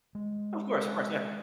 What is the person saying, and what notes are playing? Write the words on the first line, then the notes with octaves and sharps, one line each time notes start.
Of course, of course, yeah.
G#3